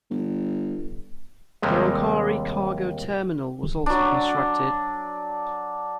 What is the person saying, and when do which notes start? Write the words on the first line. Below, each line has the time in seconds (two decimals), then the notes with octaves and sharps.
The Roncari cargo terminal was also constructed.
0.11 G1
1.62 D#2 C3 G3 G#3
3.86 F#3 D4